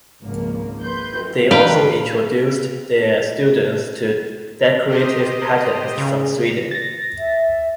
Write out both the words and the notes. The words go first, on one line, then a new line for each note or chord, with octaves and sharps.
They also introduced their students to decorative patterns from Sweden.
G#1 C#2 F3 A#3
B4 C6 G6
B4 F5 G5
G4 C5 D#5
C#3
A6 A#6
E5